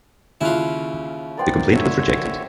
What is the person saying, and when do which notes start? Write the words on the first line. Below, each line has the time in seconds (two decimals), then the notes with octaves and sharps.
The complaint was rejected.
0.41 D#2 C#3 E4 F4 F#6
1.37 B3 A#4 C5 D5 G5
1.76 D3 D4 C#5 E5